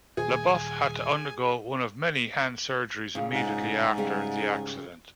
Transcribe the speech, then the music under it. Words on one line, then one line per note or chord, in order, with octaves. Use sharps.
LaBeouf had to undergo one of many hand surgeries immediately after the accident.
D#1 G#4 G#5
A#2 C#3
G#2
C#3 G3 G#4